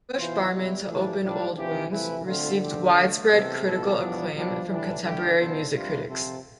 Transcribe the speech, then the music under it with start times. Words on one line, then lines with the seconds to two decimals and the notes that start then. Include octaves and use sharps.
"Push Barman to Open Old Wounds" received widespread critical acclaim from contemporary music critics.
0.18 B2 E3 B3 F4 C5
0.52 B2 G3 B3 E4
0.87 A2 E3 F3 A3 D4 G4
1.22 A2 F3 G3 D4
1.56 D3 E3 F3 C4 G4
1.91 C3 E3 F3 A3 E4 B4
2.26 D3 A3 C4 F4
2.60 A2 F3 A3 C4 G4
2.95 A2 E3 A3 E4
3.30 A2 C3 E3 B3 E4 A4
3.65 B2 F3 A3 E4 A4
3.99 E3 F3 G3 B3 D4
4.35 B2 F3 G3 D4
4.69 A2 E3 G3 D4
5.03 D3 E3 A3 E4 G4
5.38 D3 E3 B3 F4 A4 C5
5.73 C3 G3 D4 F4 B4
6.08 C3 F3 C4 F4 A4 C5